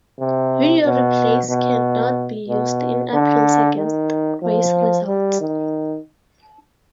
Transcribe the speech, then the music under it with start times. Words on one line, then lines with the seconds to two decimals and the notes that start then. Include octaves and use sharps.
Video replays cannot be used in appeals against race results.
0.19 C3
0.85 B2
1.50 B2
2.48 B2
3.13 D3
3.77 D#3
4.43 F3
5.08 G3
5.41 D#3